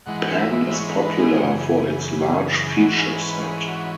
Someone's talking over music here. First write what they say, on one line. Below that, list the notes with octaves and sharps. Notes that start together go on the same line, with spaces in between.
Pan is popular for its large feature set.
G#2 E3 G#3 F#5
E5
C#5
C#5
B4
G#4
F#2 C#3 E3
G#2 E3 C#4 F#4
G#4
B4
G#4
F#4